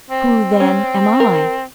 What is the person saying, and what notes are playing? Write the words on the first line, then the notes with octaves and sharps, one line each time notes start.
"Who, then, am I?"
C4
C#4
A#4